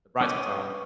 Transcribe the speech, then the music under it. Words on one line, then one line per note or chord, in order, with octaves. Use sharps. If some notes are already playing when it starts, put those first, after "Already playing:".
The bride's katana.
C#4 B4 C5 D6 D#6